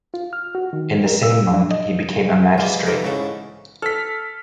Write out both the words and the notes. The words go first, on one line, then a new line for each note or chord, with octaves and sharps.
In the same month he became a magistrate.
F4
F6
F#4
D#3
A#4
E6
D4
D#5
E3 G3 G#3 F4
E3 D#4 E4 A#4 C5
G#2 C#3 E3 A3 C#4 A4
A4 F6 B6